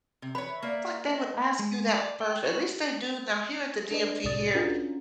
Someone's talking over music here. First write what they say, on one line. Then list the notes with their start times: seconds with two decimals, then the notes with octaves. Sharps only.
Like, they would ask you that first. At least they do now, here at the DMV here,
0.22 C3
0.35 B4 C#5 B5
0.48 E5
0.63 A#3 D5
1.03 D#5
1.59 G#3
1.93 D5
2.21 G5
2.44 F#4
3.60 G#6
3.91 D4 G#4 A4 B4 D5 D#5
4.24 C2 A2 C3 D5 D#6 A6
4.54 C#4 D4 F4 F#4 G#4 A#4